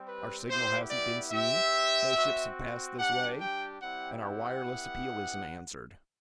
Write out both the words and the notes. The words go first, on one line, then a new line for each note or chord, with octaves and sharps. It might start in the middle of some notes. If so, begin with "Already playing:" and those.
Our signal hasn't been seen, no ships have passed this way, and our wireless appeal isn't answered.
Already playing: G3 C4 G4
B4
B3 E4 G4 C5
D5
C4 G4 E5
C4 F#4
G3 D4 G4 F#5
G5
G3 C4 E4 G4 F#5
F#5
B3 E4 G4